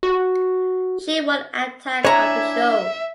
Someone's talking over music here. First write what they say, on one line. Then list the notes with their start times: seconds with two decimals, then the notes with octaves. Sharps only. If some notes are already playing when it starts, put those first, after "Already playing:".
She won Attack of the Show!
0.03 F#4
2.05 D4 E4 C#5 E5 G#5 A#5